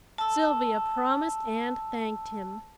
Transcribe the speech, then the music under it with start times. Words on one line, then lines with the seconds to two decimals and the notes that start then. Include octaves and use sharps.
Sylvia promised and thanked him.
0.18 A5 E6